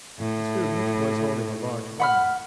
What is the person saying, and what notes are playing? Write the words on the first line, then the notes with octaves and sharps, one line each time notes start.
The student was holding a large bundle.
A2
F#5 B5 F6